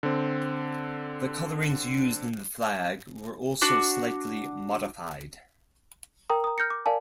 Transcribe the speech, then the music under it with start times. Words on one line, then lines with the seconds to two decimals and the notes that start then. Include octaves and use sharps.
The colourings used in the flag were also slightly modified.
0.03 D3 C4
3.62 D4 F#4
6.30 A#4 G5 A#5 D#6
6.44 A#5 D#6
6.58 F6 G6 A#6 C#7
6.70 D6
6.86 A#4 D5 F5 G#5 A5